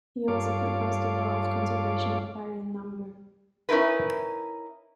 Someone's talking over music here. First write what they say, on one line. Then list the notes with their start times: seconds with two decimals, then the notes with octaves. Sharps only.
He also proposed the law of conservation of baryon number.
0.28 G2 F4 A4 C#5 F5 D6
3.69 C#4 D#4 E4 A#4 B4